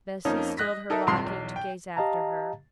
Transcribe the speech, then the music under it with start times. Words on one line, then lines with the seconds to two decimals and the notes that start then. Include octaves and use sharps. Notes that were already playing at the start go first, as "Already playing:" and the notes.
Bessy stilled her rocking to gaze after her.
0.25 F2 F3 A#3 C#4 D#4
0.57 D#5 F#6 A#6 B6
0.90 D#4 A4 A#4 E5
1.07 E1 A#1 G2 C3 C6 C7
1.23 B1 E2
1.56 G5
1.97 G4 D#5 F5 A5 A#5